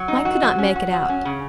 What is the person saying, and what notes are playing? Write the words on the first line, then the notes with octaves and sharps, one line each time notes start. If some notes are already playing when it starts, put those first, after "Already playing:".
Mike could not make it out.
Already playing: F#3
D#4
F#4
F#3
C#4
F#4
F#3
C#4
C#3